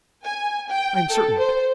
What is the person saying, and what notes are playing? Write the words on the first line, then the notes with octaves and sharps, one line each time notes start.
"I am certain of it."
G#5
G5
A4
C5